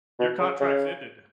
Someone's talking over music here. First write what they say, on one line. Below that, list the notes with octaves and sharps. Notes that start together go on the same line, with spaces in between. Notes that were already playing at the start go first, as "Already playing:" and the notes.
your contract's ended.
B2
C#3
C#3